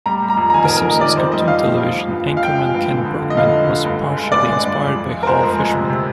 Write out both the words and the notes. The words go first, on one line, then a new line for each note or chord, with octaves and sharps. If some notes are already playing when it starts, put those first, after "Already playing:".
"The Simpsons" cartoon television anchorman Kent Brockman was partially inspired by Hal Fishman.
G3 A#5
G3
A#5
F2
A#5
D#3 G#5
A#4
F2
A#4
D#3 D#5
D#3 D5
F2 C5
G3 D#5
F2 F5
F2
F2
F3
G2
G#3
F5
F3 G5
G#3
G2
D3
F2
D3
D#5
F2 F5
D3
D3
G2
G#3
G#3
G2 D5
G#3
G2
F2
F2
G#3
A#4
G#3 C5
F2
G#3
C3
C3